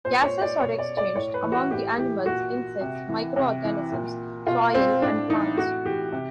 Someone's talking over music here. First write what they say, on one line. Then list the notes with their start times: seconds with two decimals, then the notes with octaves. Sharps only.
Gases are exchanged among the animals, insects, micro-organisms, soil and plants.
0.05 A#2 C5
0.23 C#5
0.42 D5
0.60 B2 C#5
0.79 D5
0.97 D5
1.16 A2 C#5
1.34 B4
1.43 E3
1.52 F#4
1.71 A2 G4
1.98 E3 G4
2.26 A#2 F#4
2.81 C3
3.09 E3
3.36 C3
3.64 E3
3.92 A#2
4.47 B2 F4
4.74 C4
5.02 A2 D4
5.30 E3 D#4
5.57 A2 F#4
5.85 E3 G4
6.13 C3